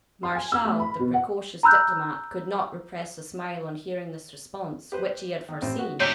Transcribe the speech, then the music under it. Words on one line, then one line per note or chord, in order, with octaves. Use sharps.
Martial, the precocious diplomat, could not repress a smile on hearing this response, which he had foreseen.
C6
G#5
E6
A3
B5
B2
F#5
A#5 B5 E6 F#6 G6
G4 B4 C5
D#3
A1 C4
B3 F#4
D2 G#2 C3 G4 C#5 G6